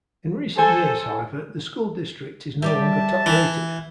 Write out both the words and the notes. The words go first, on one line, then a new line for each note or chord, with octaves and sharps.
In recent years, however, the school district is no longer top rated.
A4 C5 G#5
G3 G4 D5 E5 A5
E3